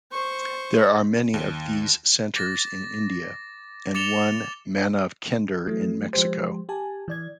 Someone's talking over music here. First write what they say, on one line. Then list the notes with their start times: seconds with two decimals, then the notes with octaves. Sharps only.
There are many of these centers in India, and one Manav Kender in Mexico.
0.11 C5 C#6
1.34 D#2
2.36 D6 A6 A#6
3.95 D6 A6 C#7 E7 F7 G7
5.67 E3 F#3 A3
6.13 F3 G#3 G4 C5
6.69 G4 G#5 A5
7.08 E3 D5 G#6